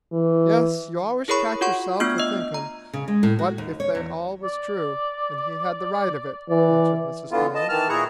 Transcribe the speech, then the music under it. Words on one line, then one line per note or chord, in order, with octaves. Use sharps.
"Yes, you always catch yourself a-thinkin' what if they all was true, and he had the right of it," answered Mrs. Todd.
E3
E4 G#4 A#4 C#5 B5 C#6
F4 F#4 F#5 C6 C#6
A3 B3 D4 F4 F6 G#6
D#5 E6
A#5
C#3
G#3
A2
F#4
D#2
C#5
E2
D5
E3 D5
D3 E3 B3 F4
D#5 A5
D#3 E3 A5 F6
A#2 E4 G#4 A#5 C#6 F#6